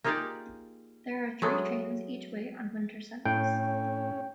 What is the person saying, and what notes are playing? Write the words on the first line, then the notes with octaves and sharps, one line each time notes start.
There are three trains each way on winter Sundays.
A#3 D#4 F4 G4 G#4 D5
F#3 G#3 A3 B3
A2 C#4 G5